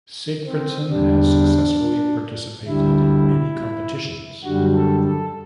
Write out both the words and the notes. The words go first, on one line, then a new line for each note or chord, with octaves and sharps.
Sigfridsson has successfully participated in many competitions.
C4
E2 D3 G3 D4
D2 D3 G3 E4
F#2 D3 G3 F#4
A4
A4